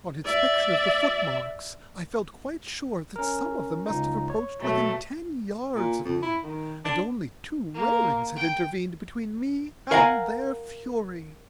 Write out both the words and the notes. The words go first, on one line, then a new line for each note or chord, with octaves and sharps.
On inspection of the footmarks, I felt quite sure that some of them must have approached within ten yards of me, and only two railings had intervened between me and their fury.
D5 E5
C#4 A#4
C#2 D#4
C#5
B2 F#3 A3
A#2
F2
E4
D#3
D4
A#3
G5
A#4 F5 F#5 G#5 A#5